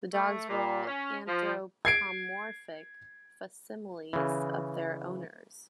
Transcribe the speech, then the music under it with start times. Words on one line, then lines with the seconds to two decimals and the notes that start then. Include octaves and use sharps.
The dogs were all anthropomorphic facsimiles of their owners.
0.13 A3
0.49 A#2
0.87 C#4
1.27 F3
1.85 G#6 C7 D7
4.13 C#3 E3